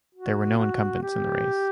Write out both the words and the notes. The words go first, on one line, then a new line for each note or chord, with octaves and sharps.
There were no incumbents in the race.
F#4
F#4
G4